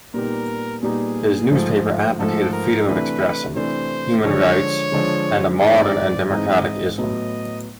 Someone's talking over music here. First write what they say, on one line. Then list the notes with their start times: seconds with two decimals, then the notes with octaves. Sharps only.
His newspaper advocated freedom of expression, human rights and a modern and democratic Islam.
0.14 A#2 G3 B3 D#4 G4 A#4
0.83 A#2 G3 B3 D#4 G4 G#4
1.51 G#2 F3 A3
2.19 G#2 F3 A3 A4
2.53 A#4
2.87 C3 E3 A3 D4 B4
3.56 C3 E3 A3 D4 C5
4.24 D3 F3 G#3 C#5
4.92 D3 F3 G#3
5.60 G#2 E3 G#3 C4 D#4 D5
6.29 G#2 E3 G#3 C4 D#4 D#5
6.98 A2 F#3 B3 D#5